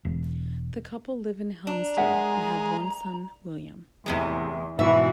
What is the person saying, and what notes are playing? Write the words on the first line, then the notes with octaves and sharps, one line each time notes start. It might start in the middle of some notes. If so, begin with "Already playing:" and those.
The couple live in Helmsdale and have one son, William.
E1
D4 A#5
G#3 A#4 E5 F#5
E2 A2 C3 G#3
G#2 B2 E3 F#4 E5